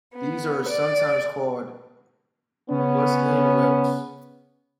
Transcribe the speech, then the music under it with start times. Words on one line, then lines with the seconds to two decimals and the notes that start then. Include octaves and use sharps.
These are sometimes called "Busycon whelks".
0.13 B3
0.68 D5
2.70 C#3 B3 C#4